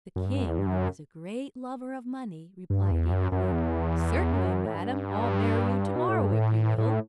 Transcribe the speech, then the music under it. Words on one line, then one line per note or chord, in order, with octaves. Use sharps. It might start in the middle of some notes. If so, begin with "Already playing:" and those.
The king, who was a great lover of money, replied eagerly, "Certainly, madam, I'll marry you to-morrow if you will."
F#2
G2
F#2
E2
G2
F#2
G2
E2
F#2
F#2
E2
F#2
A2
G2
B2
A2
G2
A2
A2